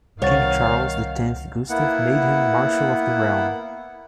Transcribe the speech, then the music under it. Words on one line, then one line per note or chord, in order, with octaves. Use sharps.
King Charles the Tenth Gustav made him Marshal of the Realm.
C2 D#3 C#5 F5 F#5 A6
A#3 B3 E4 F#5